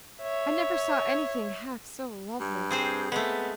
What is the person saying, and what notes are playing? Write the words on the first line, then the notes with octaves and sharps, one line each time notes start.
"I never saw any thing half so lovely."
C#5 E5
G2
C4 G#4 C5
G#3 A3 B3